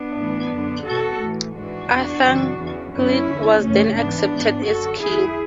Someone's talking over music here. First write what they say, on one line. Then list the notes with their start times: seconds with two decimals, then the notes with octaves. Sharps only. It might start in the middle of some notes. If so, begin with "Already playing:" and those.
Athanagild was then accepted as king.
Already playing: B3 D4
0.15 A2 E3
0.51 F#2 D3
0.85 E2 B2 F#4 A4
1.19 A2 E3
1.53 G#2 E3 D4 F#4
1.89 E2 B2
2.23 F#2 C#3 E3
2.57 E2 C#3 E3
2.92 F#2 D3 C#4 E4
3.27 E2 D3
3.61 F#2 C#3 E3 A3 C#4
3.96 G#2 E3 B3 D4
4.32 G#2 E3
4.66 F#2 D3 F#4 A4
5.00 E2 D3 E4 G#4